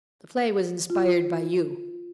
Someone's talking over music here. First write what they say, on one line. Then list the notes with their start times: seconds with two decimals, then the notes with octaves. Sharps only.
The play was inspired by you.
0.90 F4